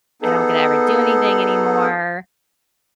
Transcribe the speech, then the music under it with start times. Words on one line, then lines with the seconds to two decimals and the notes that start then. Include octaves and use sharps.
"I don't get to ever do anything anymore,"
0.22 B3 D#4 G#4 A4